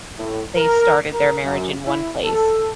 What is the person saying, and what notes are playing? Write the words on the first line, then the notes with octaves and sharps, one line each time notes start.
they started their marriage in one place.
A2
A#4
A#4
F#2
E4
A4